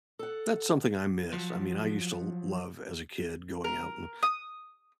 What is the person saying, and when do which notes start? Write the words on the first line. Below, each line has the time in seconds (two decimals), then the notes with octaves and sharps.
That's something I miss, I mean, I used to l love as a kid going out and
0.19 A4 F#5
1.33 F3 F#3
3.64 A#4
4.23 D#6